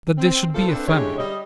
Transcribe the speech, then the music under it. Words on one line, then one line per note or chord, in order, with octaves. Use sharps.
"That there should be a famine!"
C4
A#2 F3 E4 A4
C4 D4 A4 B4
D3 G#3 C#4 E4 G4 C#5
G3 D#5